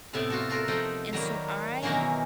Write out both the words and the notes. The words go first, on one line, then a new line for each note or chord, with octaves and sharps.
and so I
A2 C3 B3 D5 E5
F4 F#4 A4
F4 F#4 A4 A#4
F3 A3 D#4 D#5 F#5 G5
D#3 F#3 G3 A#3
B2 D#3 E3 F#3 A#3 C#4